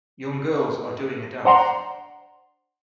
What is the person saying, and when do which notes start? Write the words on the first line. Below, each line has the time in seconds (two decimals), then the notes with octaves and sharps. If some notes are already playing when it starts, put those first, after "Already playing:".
Young girls are doing a dance.
1.45 D4 C5 D5 F#5 A#5 C6